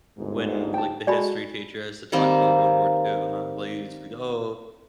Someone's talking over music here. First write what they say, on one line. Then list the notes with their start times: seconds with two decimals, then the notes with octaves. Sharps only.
when, like, the history teacher has to talk about World War II, huh, like, you just "Oh,
0.18 G1 D2 G#2
0.74 G5 A5
1.07 G#3 F#4 A4 D5 G#5 B5
2.12 D#3 G3 A#3 C4